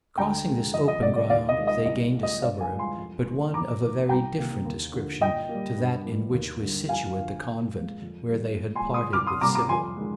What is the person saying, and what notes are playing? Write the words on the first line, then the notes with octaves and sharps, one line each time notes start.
Crossing this open ground they gained a suburb, but one of a very different description to that in which was situate the convent where they had parted with Sybil.
D2 G5 A#5
D3 F3 G#3
F2 D#5
D#5
C3 G3 A#3 D5
D5
D#2 D5 F5
D#5
D#3 G#3
D#5
C2 D#5
A#2 G#3
D#5
G2 D5 F5
F5 G#5
F3 G#3
G#5 C6
F2
D#3 A#3
F2 A#5 D6
D#3 A#3
C2 G5 A#5
C3 D#3 A#3
D#2
D3 F3
A#2 D#5 G5
G3 A#3
G2
F3 A#3
D#2
D3 G3
F2 F5 G#5
D3 F3
A#2
F3 G#3
F2
D#3 G3 A#3
A#2
G#5 C6
G#3
C6 D#6
C2 D6 F6
C6 D#6
C3 G3 A#3 A#5 D6
A#5 D6
F2 G#5 C6
D#3 G#3